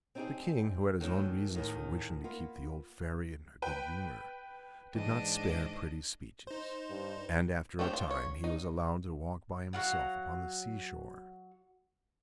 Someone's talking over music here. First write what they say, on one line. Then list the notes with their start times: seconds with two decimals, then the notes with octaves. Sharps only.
The King, who had his own reasons for wishing to keep the old Fairy in a good humor, did not spare pretty speeches, and after a time he was allowed to walk by himself upon the sea-shore.
0.15 C4 D4 D#4 F4 G4 G#4
1.00 D#3 E3 F#3 A3 A#3 D4
1.55 E2 A2 D#3
2.24 A#3 B3 F4
3.62 B4 G5
4.95 G#2 E3 D4 D#5
6.47 D#4 C5
6.89 G2
7.79 A3 C4 D#4 G4 G#4
7.93 F4
8.10 C#5
8.44 D#4
9.73 F#3 F#4 F5 F#5